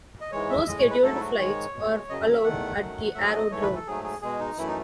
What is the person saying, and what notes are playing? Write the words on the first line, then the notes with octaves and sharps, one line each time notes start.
No scheduled flights are allowed at the aerodrome.
D#5
G#2 E3 G#3 C#5
E5
A2 G#3 D#5
C#5
B4
G#2 F#3 A3 A4
E4
F#4
G#2 D#3 G#3 C#5
B2 G#3
F#2 C#3 F#3 D#5
E5
E5
E2 D#3 A3 F#5
F#2 D#3 F#3 A3
G#2 F#3 A3 E5
D#5
G#2 E3 A3 C#5
B4
A4
G#2 F#3 A3 G#4
G#4
B2 G#3 G#4
D#4
F#2 E3 A3 E4
D#4